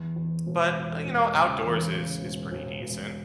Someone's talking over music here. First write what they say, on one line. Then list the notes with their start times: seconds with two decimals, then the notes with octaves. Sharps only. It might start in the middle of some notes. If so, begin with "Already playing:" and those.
but, uh, you know, outdoors is is pretty decent.
Already playing: E2
0.16 E2
0.46 E1
0.75 E2
1.05 E1
1.34 C#3
1.63 E2
1.93 C#3
2.22 E1
2.51 E1
2.81 E1